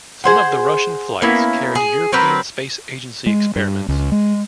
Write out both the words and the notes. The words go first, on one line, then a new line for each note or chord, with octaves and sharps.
Some of the Russian flights carried European Space Agency experiments.
G#4 C5 F#5
A#3 B3 C#4 E4
G#4
F#3 C4 A#4 B4
G#3
G2
C#2
G#3